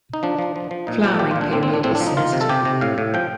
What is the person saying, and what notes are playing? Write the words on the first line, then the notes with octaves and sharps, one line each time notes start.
Flowering period is sensitive.
D#4
F3 D4
F3
F3
F3
A#2 D#4
F3
A4
A#2 G4
F4
A#2
D4
A2 C4
C4
A2
D4
A2 C4
D4
F3
D#4
D#3 F4
C3
A4
C3 G4
C3
A2 F5
A2
F3 G5